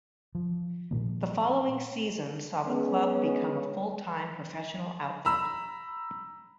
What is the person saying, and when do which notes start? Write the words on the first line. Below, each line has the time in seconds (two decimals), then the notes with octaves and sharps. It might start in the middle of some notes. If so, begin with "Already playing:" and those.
The following season saw the club become a full time professional outfit.
0.35 F3
0.91 A#2 D#3 F3 A#3
2.68 G#3 B3 C#4
5.25 A#5 B5 E6